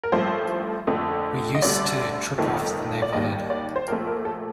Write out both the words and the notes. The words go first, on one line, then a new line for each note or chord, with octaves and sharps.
We used to trip off the neighborhood.
A#4
A1 G2 F3 A3 C5
F2 D3 A3
D#5
D2 D3 G3 D5
G1 F2 D#3 A3
D5
D#2 D#3 G3 D#5
D5
C5
A#1 A#2 F3 A3 A#4
A#4
A4